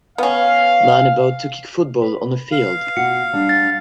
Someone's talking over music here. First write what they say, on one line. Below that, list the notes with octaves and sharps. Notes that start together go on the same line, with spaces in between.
Man about to kick football on a field.
B3 C#4 F5
B4
F5
B2 F#4 C#7
G3 D4
A6